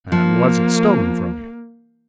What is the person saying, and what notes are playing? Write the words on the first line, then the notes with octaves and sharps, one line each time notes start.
"And was it stolen from you?"
F3 A#3